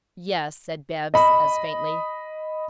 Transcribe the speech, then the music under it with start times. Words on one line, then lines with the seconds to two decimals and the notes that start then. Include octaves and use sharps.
"Yes," said Bibbs, as faintly.
1.14 D#5 B5